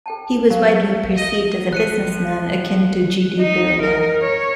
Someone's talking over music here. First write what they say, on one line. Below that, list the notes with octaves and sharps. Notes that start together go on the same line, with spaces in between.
He was widely perceived as a businessman akin to G. D. Birla.
A4 G5 A5
F#3 F5
D#5
F3 F#6 C#7 D#7
D#4
A#4
C#5